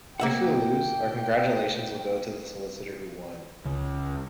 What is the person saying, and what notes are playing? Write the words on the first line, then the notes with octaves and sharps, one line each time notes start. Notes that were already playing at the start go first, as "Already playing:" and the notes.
If we lose, our congratulations will go to the solicitor who won.
A#3 E5 F#5 G5
C#2